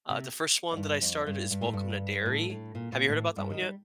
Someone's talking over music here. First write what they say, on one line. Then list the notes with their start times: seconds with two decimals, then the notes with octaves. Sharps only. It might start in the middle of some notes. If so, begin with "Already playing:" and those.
Uh, the first one that I started is Welcome to Derry, have you heard about that one yet?
0.10 C3
0.71 F2
0.77 G2
1.01 F2
1.26 G2
1.51 G2
1.62 A2
1.73 G2
2.26 A2
2.50 A2
2.75 A#2
2.92 A#2
3.09 A2
3.37 G2
3.50 D#3
3.62 G3